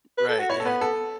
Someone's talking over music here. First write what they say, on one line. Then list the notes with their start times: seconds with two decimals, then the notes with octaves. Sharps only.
Right. Yeah.
0.18 B4
0.28 A4
0.39 F#4
0.50 E4 C#5
0.60 A4
0.65 B3 B4
0.81 A4